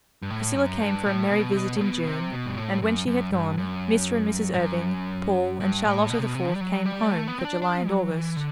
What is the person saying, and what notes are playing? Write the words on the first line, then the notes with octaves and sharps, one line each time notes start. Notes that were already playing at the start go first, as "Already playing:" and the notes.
Priscilla came for a merry visit in June; and, when she had gone, Mr. and Mrs. Irving, Paul and Charlotta the Fourth came "home" for July and August.
G2
A2
F#2
G2
A2
B2
C3
B2
A2
B2
C3
B2
G2
A2
F#2
F#2
G2
F#2
G2
F#2
G2
A2
B2
C3
B2
C3
G3
F#3
G3
A3
B3
C4
D4
D4
F#3
E3
D3